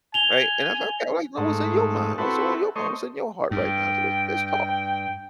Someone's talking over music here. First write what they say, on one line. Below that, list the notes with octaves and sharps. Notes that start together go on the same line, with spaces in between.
Right, and I'm like, "Okay, I’d like to know what's on your mind what's on your m what's in your heart right now? So let's let's talk."
G#5 F7 G7
G#2 A3
C4 E4 F#4 A4 B4
A3 C5 C#5 D#5
G2 G5